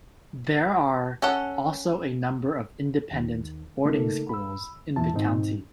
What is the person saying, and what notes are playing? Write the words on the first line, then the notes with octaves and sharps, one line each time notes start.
There are also a number of independent boarding schools in the county.
C#4 A4 F#5
D#2 D#3
C#3 A3 A#3 D#4 A4
B5 E6
E2 E3 B3 E4 A5
G#2 B2 D#3 C4 D#4